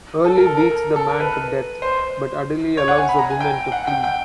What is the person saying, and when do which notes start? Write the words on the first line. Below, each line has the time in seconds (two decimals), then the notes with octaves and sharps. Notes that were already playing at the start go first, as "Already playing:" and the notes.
Early beats the man to death, but Adele allows the woman to flee.
0.25 A4
0.36 A#4
0.46 A4
0.57 A#4
0.96 A4
1.08 A#4
1.20 B4
1.82 C5
2.77 C#5
2.88 F#5
2.98 G#5
3.09 B5
3.19 A#5
3.30 G#5
3.40 G5
3.72 F#5
3.87 G5
4.04 G5